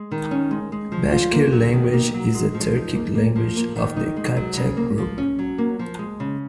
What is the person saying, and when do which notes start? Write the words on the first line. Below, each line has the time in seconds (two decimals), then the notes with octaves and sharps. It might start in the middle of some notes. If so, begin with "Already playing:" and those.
Bashkir language is a Turkic language of the Kypchak group.
Already playing: G#3
0.11 D#3
0.31 C#4
0.51 G#3
0.72 G#3
0.92 F3
1.12 F4
1.32 A#3
1.53 F#3
1.73 D#3
1.93 A#3
2.14 F#3
2.34 G#3
2.54 F3
2.75 D#4
2.95 A#3
3.15 A#3
3.36 F3
3.56 A#3
3.76 D#3
3.96 D#4
4.17 G#3
4.37 F#3
4.57 C#3
4.77 A#3
4.98 F3
5.18 C#4
5.39 F#3
5.58 A#3
5.79 F3
5.99 G#3
6.20 C#3